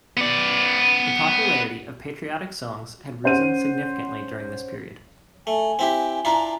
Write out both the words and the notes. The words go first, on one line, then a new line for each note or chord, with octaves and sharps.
The popularity of patriotic songs had risen significantly during this period.
B3 D5
C#4 C5 F#5 D#7
A3 G#5
C4 E4 G4
D4 E4 F4 A#5